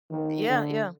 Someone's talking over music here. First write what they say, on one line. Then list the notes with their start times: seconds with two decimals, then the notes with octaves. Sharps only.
Yeah, yeah.
0.11 D#3
0.49 D3